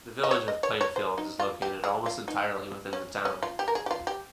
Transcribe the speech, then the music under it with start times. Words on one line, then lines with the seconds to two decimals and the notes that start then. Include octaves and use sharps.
The Village of Plainfield is located almost entirely within the town.
0.23 D#5
0.31 C#5
0.48 D#5
0.63 C#5
0.81 C#5
0.96 C5
1.18 D#4
1.39 F4
1.62 G4
1.84 G#4
2.06 F4
2.28 D#4
2.93 C#4
3.25 C#4
3.43 F4
3.59 G4
3.68 A#4
3.75 G#4
3.86 G4
3.91 F4
4.07 G4